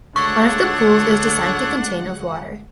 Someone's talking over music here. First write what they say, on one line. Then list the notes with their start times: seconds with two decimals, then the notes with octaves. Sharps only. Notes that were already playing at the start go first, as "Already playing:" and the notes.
One of the pools is designed to contain of water.
0.16 D2 G#3 D4 A4 C#5 F#5 C#6